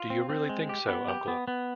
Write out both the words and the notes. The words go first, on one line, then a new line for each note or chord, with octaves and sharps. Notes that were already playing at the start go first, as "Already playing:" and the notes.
Do you really think so, uncle?
Already playing: F4
C4
C4
G#3
G4
B3
G4
B3
B3